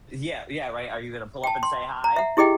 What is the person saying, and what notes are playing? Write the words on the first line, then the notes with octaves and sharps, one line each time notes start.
Yeah, yeah, right. Are you gonna pull up and say hi?
G5 A5
C6
A#5
E5 F#5
E4 G4 G#4 D#5 G5